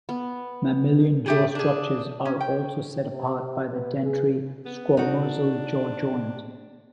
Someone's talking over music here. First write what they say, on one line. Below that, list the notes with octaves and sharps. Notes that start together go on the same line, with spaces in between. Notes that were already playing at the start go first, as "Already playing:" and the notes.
Mammalian jaw structures are also set apart by the dentary-squamosal jaw joint.
B3
A3 G4 G#4
D4 G#4
C#4
G5
C3
B3
G#4
B3
D4 D#4 F#4